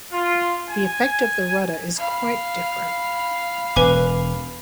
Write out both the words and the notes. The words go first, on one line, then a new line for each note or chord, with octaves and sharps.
The effect of the rudder is quite different.
F4
G#5
F5 B5
E1 B4 G#5 D6